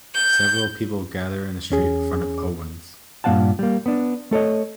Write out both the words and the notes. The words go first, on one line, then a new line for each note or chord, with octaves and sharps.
Several people gather in the street in front of Owen 's.
G6
E2 C#4 G#4
G2 A#2 A3 F5 F#5 A5
G3 A#3
B3 D4
A3 A4 C#5 D#5